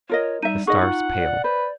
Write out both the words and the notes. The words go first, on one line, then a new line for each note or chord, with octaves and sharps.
The stars pale.
F4 A#4 C#5 D#5
G3 D#4 E5 D#7
D#4 G#4 D#5 F#5 C#6
F4
D5
B4 C5